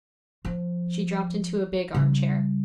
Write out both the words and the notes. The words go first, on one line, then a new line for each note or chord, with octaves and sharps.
She dropped into a big arm-chair.
F3
C#3 G3